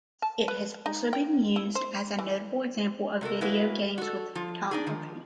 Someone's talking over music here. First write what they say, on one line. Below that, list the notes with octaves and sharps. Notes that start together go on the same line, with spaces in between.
It has also been used as a notable example of video games with photography.
A5
B4
D#4
G5
E4
C5
E3
C3 F#4 A4 A#4
F#3 G#3 A#3 E4 F#4 B4
F#4 A4
F3 F4
D4 D#4 G#4
D#3 F3